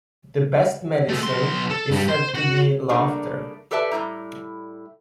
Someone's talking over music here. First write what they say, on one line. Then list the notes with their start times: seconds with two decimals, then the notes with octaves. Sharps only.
The best medicine is said to be laughter.
1.09 A3 G#4
1.23 B1 C6
1.70 A4
1.91 G2 G3
2.08 C5
2.34 F#4
2.89 G3 A3 A#3 D4 D#4 G#4
3.71 G4 A4 B4 D5 E5 A5
3.91 A2 G3 E4 A#5